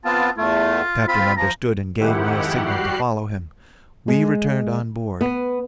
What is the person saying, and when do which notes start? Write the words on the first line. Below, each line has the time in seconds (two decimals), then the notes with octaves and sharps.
The captain understood and gave me a signal to follow him. We returned on board.
0.05 B3 C4 F4 A5
0.37 E2 A3 F4
1.08 C4 F4 B5
1.37 F3 A#5
1.99 F2 G#2 D#3 E4 G4 F#5
2.65 G3 F#4 G4 F#6 C7
4.08 G#3
5.21 B3